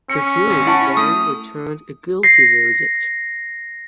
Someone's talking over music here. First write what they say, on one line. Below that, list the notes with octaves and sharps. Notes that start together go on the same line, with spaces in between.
The jury then returned a guilty verdict.
C#4 C#7
G#1 B6
E4 F#5 A5 C#6
A3 D#6
A#6 C7